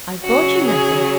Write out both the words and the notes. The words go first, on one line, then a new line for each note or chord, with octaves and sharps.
'I've brought you nothing.
C#3 F#3 C#4 F#4
G#4